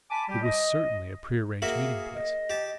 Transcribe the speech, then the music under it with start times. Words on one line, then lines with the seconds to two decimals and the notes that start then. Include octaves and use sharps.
It was certainly a prearranged meeting place.
0.10 G#5 A5 B5 D6
0.29 G3 G4
0.43 D#5
1.62 A#3 F#4 G#4 E5
2.15 D#5
2.50 G4 A5